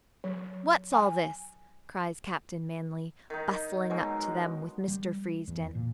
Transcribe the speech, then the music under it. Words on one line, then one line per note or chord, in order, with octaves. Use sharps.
"What's all this?" cries Captain Manly, bustling up to them with Mr. Freesden.
F#3
G#5
D#3 D#4
B2 F#3 G#3
G3
E2
A#2